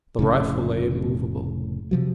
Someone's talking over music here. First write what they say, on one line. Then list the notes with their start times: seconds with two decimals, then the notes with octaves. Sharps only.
The rifle lay immovable.
0.19 F1 A2 C#3
1.91 C3 F3 F#3